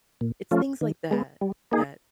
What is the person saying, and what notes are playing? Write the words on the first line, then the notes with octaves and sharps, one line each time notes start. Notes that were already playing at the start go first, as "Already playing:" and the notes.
It's things like that that
A#2
F3 A3 C#4 F4
D#3
G#3 B3
G3
A#3 D#4 G#4